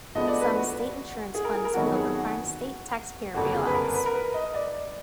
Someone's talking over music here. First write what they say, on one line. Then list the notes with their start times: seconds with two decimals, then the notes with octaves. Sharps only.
Some state insurance funds failed, requiring state taxpayer bailouts.
0.15 D2 D3 F3 G#3 B3 D#5
0.28 D5
0.41 B4
0.55 F#4
1.34 G#4
1.44 A#4
1.55 G#4
1.65 A#4
1.74 F2 D#3 F#3 B3 F#4
1.95 G#4
2.14 F#4
3.34 F#1 F2 D3 F#4
3.55 G#4
3.67 B4
3.74 A#4
3.94 B4
4.06 A#4
4.14 B4
4.34 D#5
4.54 D5